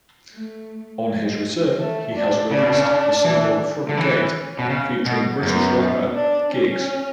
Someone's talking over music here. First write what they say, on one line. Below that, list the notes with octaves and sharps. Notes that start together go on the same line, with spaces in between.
On his return he has released the single "Front Gate" featuring British rapper Giggs.
A3
G#3
A3
D4
C#3 D4
B2
C#3
E3
D3
E3 C#4
B2
C#3
B2
F#2 B3
D4
C#4